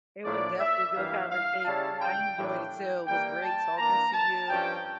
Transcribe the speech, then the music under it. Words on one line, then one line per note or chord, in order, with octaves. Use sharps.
It was definitely a good conversation. I enjoyed it, too. It was great talking to you.
A2 F3 A#3 D4 D5
E5
G2 E3 G3 A#3 F5
F5
C#3 G3 C#4 E4 A5
G5
A2 E3 G3 A#3 D4 G5
E3 G3 A#3 G5
A5
E3 A#3 D4 A#5
A5
G2 F3 C#4 G5